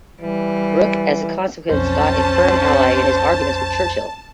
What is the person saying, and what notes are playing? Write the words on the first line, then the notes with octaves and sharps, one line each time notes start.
Brooke as a consequence got a firm ally in his arguments with Churchill.
E3 G3
B1 F2 C#4 C5 A5